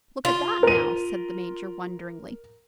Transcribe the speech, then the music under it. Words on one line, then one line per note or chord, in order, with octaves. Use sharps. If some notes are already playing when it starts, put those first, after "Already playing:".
"Look at that, now!" said the Major, wonderingly.
F4
A#4 D#7